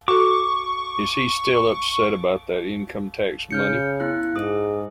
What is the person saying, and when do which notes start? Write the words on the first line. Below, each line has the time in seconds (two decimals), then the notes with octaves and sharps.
Is he still upset about that income-tax money?
0.08 F#4 A4 C#6 D6
3.51 C#3 F6 G6 C#7
4.00 B3 E4 F#6
4.36 G#2 G#4 D#6